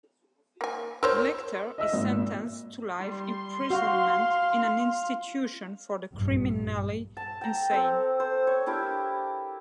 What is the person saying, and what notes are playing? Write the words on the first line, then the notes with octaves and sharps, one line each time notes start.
Lecter is sentenced to life imprisonment in an institution for the criminally insane.
A#3 G#5
A#4 C5 C#5 E6
D#5 E5 E6
G#1 A#2
G3 C6
F#4 F5
A#1 G2
A5
G5 A#5
C4 A4
C5
C#5
D4 E4 G4 A#4